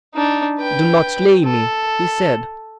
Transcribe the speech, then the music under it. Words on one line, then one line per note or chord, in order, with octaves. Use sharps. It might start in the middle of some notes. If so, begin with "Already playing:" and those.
"Do not slay me," he said.
D4 D#4
B4 G5
A4